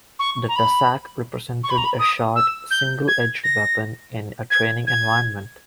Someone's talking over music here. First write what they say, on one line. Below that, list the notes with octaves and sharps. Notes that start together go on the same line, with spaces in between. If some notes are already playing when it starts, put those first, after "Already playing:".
The dussack represented a short, single-edged weapon in a training environment.
C#6
A#5
B5
C#6
B5
A#5
B5
D#6
E6
G6
G#6
A#6
G#6
G#6